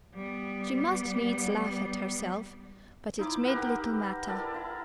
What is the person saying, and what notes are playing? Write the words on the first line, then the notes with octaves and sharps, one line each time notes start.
She must needs laugh at herself, but it made little matter.
G3 B3
D#4 E4 D6
G4 A#4 B4 F#5
E4 A4 A#4 D5
E4